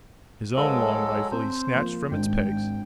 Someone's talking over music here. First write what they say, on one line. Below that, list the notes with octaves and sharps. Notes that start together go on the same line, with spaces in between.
His own long rifle he snatched from its pegs.
F#3 G#3 A4 A#4 C5 F5
C4 C5
F3 A#3
G#1 G#2 D4 G5